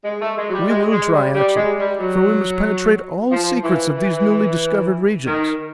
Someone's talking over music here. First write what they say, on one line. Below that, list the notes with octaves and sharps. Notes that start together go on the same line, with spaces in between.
"We will try, Axel, for we must penetrate all secrets of these newly discovered regions."
G#3
A3
G#3
F#3
G3
G#3
G#3
G3
G3
G#3
G3
F#3
F3
E3
E3
D#3